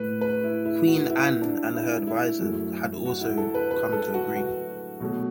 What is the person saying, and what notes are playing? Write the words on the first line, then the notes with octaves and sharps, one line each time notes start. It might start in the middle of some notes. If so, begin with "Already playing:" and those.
Queen Anne and her advisors had also come to agree.
Already playing: A2 A3 B4
B4
E4
E4
F#4
E4
D4
E4
E4
F#2 F#3 A3
F#4
E4
A4
B4
B4
A4
F#4
F#4
B2 F#3 A3